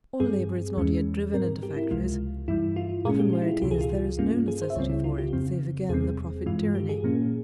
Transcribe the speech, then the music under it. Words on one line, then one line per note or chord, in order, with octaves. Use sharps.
All labour is not yet driven into factories; often where it is there is no necessity for it, save again the profit-tyranny.
G2 G3 C4 G#4
E2 E3 G#3 C#4
G#2 G3 C4 A#4
G4
E4
C#2 C3 F3 G#3 F4
G2 E3 G3 E4
F4
A#2 G#3 C#4 G#4
G4
F4
E4
F4
C#2 C3 E3 G4
G#4
F4
G2 G3 A#3 C#4 F4
G#4
C5
E5
C#2 C#3 G3 C4 C#5
E4
F4
G4
F2 C#3 F3 C4
E2 C3 G3 C4 G#4
G2 E3 G#3 F4
G4
G#4
A#2 F3 A#3 C#4